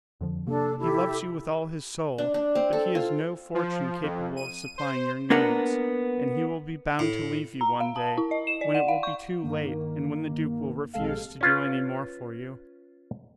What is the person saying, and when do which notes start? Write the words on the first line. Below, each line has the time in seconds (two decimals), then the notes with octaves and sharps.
He loves you with all his soul, but he has no fortune capable of supplying your needs, and he will be bound to leave you one day, when it will be too late and when the duke will refuse to do any more for you.
0.21 F2 D3 F3
0.47 C3 A#3 D4 A4
0.79 E4 G4 A4
2.18 D4
2.34 D4
2.55 C4
2.73 A4
2.95 F4
3.54 F3
4.03 F2
4.36 D#7
4.78 C5
5.30 A#3 B3 D4 A#4 F#5
6.99 A2
7.61 A#5
7.80 F5
7.96 A5
8.18 E4
8.31 D#5
8.47 E7
8.61 D5
8.74 F#5
8.88 F5
9.03 C#6
9.43 G2 D#3 A#3
10.94 A#1 C3 G#3 A4 F5
11.41 C#4 F4 B4